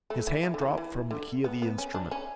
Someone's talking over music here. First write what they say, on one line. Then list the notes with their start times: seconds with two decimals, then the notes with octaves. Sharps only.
His hand dropped from the key of the instrument.
0.10 A3
0.27 E3
0.43 E3
0.54 D3
0.61 E3
0.78 E3
1.11 D3
1.44 B3
1.62 B3
1.78 C#4
1.94 D4
2.11 C#4